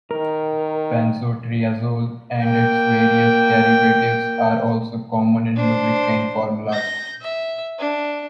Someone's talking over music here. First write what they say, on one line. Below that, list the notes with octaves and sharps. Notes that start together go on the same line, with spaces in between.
Benzotriazole and its various derivatives are also common in lubricant formulas.
D#3 A#4
A#3 G5
D4 C5
G6 A#6
E5
D4